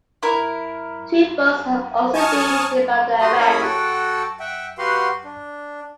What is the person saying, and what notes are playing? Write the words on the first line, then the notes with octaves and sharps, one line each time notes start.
Two books have also been written about the events.
E4 A#4
G#5 A5 C#6 D#6 F6
F#4 G4 D#5 C6 D#6
A#3 C#4 E4 G#5 B5 D#6
F#4 A4 F#5 G5 A5
E5 F#5 G5
F#4 G4 B4 F5 F#5 C6
D4